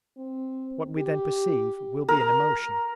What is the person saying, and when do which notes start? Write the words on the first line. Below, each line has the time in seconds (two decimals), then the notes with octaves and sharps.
What we then perceive will be an emotion.
0.17 C4
0.98 G4
2.08 A#4